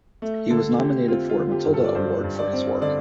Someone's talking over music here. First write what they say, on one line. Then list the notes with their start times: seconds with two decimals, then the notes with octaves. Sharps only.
He was nominated for a Matilda Award for his work.
0.22 A3
0.50 D3 A4
0.79 D3 G4
1.08 C4 F4
1.29 F4
1.37 D3
1.52 G4
1.66 G2
1.74 A4
1.85 D5
1.95 G2 C5
2.24 G2
2.39 D5
2.53 C4
2.81 D3 D5